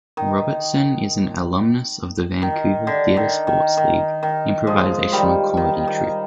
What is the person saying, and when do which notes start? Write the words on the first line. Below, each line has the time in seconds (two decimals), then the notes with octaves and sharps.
Robertson is an alumnus of the Vancouver TheatreSports League improvisational comedy troupe.
0.17 D#3
2.42 D#3
2.87 D3
3.17 D#3
3.47 D#3
3.77 D#3
4.23 D#3
4.67 F3 G#3
5.12 D#3 G3
5.57 D#3
5.88 D#3